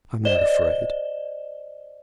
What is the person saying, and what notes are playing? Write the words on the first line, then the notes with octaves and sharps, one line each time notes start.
"I'm not afraid."
C5 D5 D#5 E7 G7